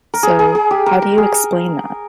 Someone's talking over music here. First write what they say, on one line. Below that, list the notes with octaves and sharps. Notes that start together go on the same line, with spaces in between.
So, how do you explain that?
A#4
G#4
G#4
G#4
G4
A#4
A#4
G#4